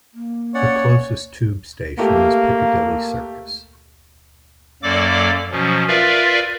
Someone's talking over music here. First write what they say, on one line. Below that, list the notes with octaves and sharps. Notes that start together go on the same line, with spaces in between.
The closest tube station is Piccadilly Circus.
A#3
C#4 C#5 D5 F#5
A3 A#3 G4 F5
F#2 F#3 A#3 A4 D5 D6
B2 F3 F#3 C#4
F4 A#4 B4 D5 E5 F5